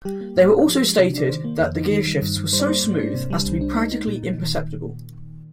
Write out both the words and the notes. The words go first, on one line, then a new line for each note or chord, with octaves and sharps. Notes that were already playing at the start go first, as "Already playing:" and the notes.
They also stated that the gearshifts were so smooth as to be practically imperceptible.
G3 G4
A#3
G#2
D4
F3
G#3
C3
D4 D5
D#3 C5
A#3
F2
D#4
D#3
G3
G2
G2
G3 C5
D5
A#3 C5
G#2
D4
C3
G3
C2
D4
G#3 D#4
D#4
A#2
A#2
D#3